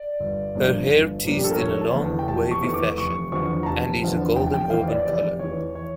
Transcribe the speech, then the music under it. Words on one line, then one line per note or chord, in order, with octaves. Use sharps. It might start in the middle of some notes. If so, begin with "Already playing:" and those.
Her hair teased in a long wavy fashion, and is a golden-auburn color.
Already playing: D5
G1
G2 F3 A#3 D4
G1
G2 F3 A#3 D4
G4
A4
A#4
F1 C#5
A5
E2 E3 A3
G5
F1 A5
C#6
E2 E3 A3
D6
F1 C#6
E2 D3 F3 C#6
A#5
F1 A5
E2 D3 F3
F1 G5
G5
E2 E3 F5
D5
F1 D5
E2 E3 C#5
C#5